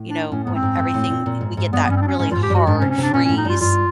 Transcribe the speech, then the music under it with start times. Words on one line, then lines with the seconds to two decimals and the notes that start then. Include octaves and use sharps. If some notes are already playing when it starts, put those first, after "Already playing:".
you know, when everything i we get that really hard freeze.
Already playing: A2
0.08 D4
0.31 A2 C#4
0.44 G#2 B3
0.55 C4
0.63 G#2
0.79 G#2
0.94 A2
1.10 A#2
1.26 A#2
1.41 G#2
1.57 G#2
1.72 G2 B3
1.84 B3
1.88 G2 C#4
1.96 C4
2.01 D4
2.07 C#4
2.19 G#2 C#4
2.31 G2 F4
2.35 G#2
2.43 G4
2.50 G2 F#4
2.67 G#2 D4
2.78 C#4
2.82 C3
2.90 C#4
2.98 C3 D4
3.13 A#2 C#4
3.25 C#4
3.29 A2
3.37 D#4
3.45 G2 F4
3.61 G2 F4